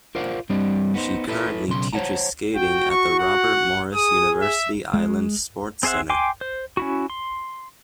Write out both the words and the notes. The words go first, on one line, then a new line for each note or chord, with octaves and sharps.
She currently teaches skating at the Robert Morris University Island Sports Center.
F4 A#4 C5 D5 F5 F#5
G2 G3 C4 D4 D#5
B3 D#4 C5
E4 A4 B4 D5 E5
B1 C#3 C6
C5 C#5 D#5 F#5 A5 A#5
F#4 G5
C#6
F#5
G#4 D#6
E5
G#3
C4 G#4 C5 E5 F#5
G5 G#5 C6 D6
C5
C#4 E4 F#4
C6